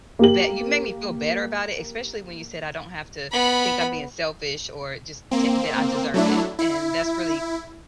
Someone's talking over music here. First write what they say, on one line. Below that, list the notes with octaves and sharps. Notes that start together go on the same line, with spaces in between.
be you've made me feel better about it, especially when you said I don't have to think I'm being selfish or just t that I deserve it. And that's really
A#3 G4 F#7
B3 B5
A#3 C4
F#3 A3 D4 E4
E4